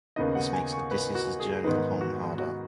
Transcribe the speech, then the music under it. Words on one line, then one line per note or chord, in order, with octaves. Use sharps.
This makes Odysseus' journey home harder.
D#2 C#3 B3 D#4 D#5
F#5
G#5
C#6
B4
F#4
G#4
G#2 D#3 B3 D#4 B4
F#4
F#4